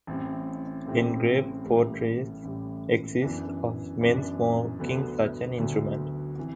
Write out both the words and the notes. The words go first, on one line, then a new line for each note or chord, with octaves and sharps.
Engraved portraits exist of men smoking such an instrument.
A1 A2 G3 C4 E4
A1 A2 G3 C4 E4
A1 A2 G3
A1 A2 G3
F#2 E3 B3 D4
F#2 E3 B3 D4
D2 D3 F#3 B3
D2 D3 F#3 B3
C3 E3